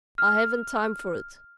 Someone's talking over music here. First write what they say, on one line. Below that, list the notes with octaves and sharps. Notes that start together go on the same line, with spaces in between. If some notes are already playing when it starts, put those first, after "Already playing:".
I haven't time for it.
F6